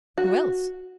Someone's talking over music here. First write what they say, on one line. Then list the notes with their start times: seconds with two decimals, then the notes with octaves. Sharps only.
"Who else?"
0.18 F#4